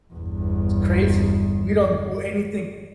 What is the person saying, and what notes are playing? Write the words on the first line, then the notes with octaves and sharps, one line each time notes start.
It's crazy. We don't do anything
G1 E2